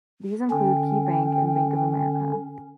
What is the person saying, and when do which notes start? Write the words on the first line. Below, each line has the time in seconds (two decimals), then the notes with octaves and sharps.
These include Key Bank, and Bank of America.
0.50 D3 C#4 G5